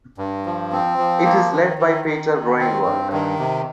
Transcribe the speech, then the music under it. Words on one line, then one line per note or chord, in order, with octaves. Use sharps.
It is led by Pieter Groenewald.
G2
F3
C4
F3
A#3
D#3
D#3
D#3
D#3
C4
G2
D#3
C3